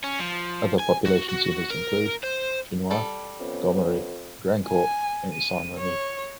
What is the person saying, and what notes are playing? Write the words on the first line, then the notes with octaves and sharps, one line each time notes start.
Other population centers include: Chenois, Gomery, Grandcourt, and Saint-Remy.
C#4
F3
G#5
F#4
F#4
A#4
C5
G3 A4
F2 B3 C#4
G#5
D#7
C#5